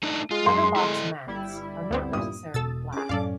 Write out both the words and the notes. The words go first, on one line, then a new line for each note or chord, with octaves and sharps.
Letterbox mattes are not necessarily black.
A3 D4 D#4
G#3 F4
F#2 C6
E4 A4 D#5
G1 G3 E4
D2 B3 C4
G2 A#2 D#6
E1 B2 A4 E6 A6
C#4 G#4 D6
F#2 A2 F#3 C#4 A4 D5 F5